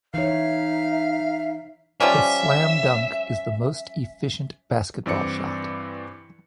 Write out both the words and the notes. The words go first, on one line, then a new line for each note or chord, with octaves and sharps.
The slam dunk is the most efficient basketball shot.
E3 D#4 C#5 E5 F5
F3 G3 C#4 E5
G2 E3 C4 D5 D6 C#7